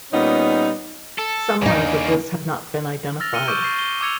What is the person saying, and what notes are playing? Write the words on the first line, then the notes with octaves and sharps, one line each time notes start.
Some languages have not been identified.
A#2 G3 B3 C#4 D#4
A4
E2 C#3 A#3 D#4
E6 F6 A6 A#6 F7
F6 C#7 D#7 G7
C#6 D6 E6 G6 D7
C#6 C7
G7
D6 E6 G#6 C#7 F7